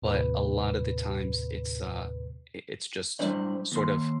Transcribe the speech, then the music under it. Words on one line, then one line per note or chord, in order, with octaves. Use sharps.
but a lot of the times, it's, uh it it's just, sort of
D#2 A2 C3 B4
A2 G3 A3 D4 C5 D5
D#2 C6